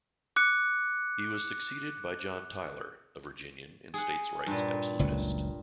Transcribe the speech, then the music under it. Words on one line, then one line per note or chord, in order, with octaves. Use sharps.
He was succeeded by John Tyler, a Virginian and states' rights absolutist.
D6 F#6 C#7
G#4 F#5
G2 A#2
F#1 C#2 F#3